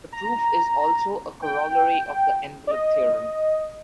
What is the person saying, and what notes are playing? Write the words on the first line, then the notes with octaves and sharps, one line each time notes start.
The proof is also a corollary of the envelope theorem.
A#5
G5
D5
D#5